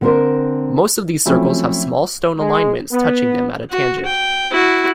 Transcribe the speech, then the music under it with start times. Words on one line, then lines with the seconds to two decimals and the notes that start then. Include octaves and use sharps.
Most of these circles have small stone alignments touching them at a tangent.
0.01 D3 B3 C4 D4 A#4 C5
1.26 F3 F#3 A3 C4 C#4 E4
2.39 G#3
2.92 B3
3.70 F#4
4.06 G5
4.51 E4 F#4